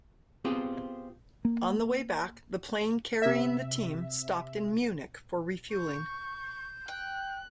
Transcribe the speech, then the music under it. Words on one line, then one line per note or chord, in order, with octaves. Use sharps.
On the way back, the plane carrying the team stopped in Munich for refuelling.
B3 C4 F4 G4 G#4
A#3
C3 E5
C#6 G6
G5 F#6